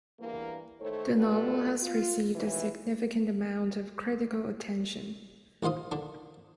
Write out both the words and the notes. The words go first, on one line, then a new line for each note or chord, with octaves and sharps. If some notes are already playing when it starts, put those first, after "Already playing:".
The novel has received a significant amount of critical attention.
E2 G2 E3 A#3
D#3 A3 A4 C5 C#5
B2 G3 F4 A4 B4
F4
D#2 G#2 B2 E3
A1 D#3 F4 C5 D#6
D3 D4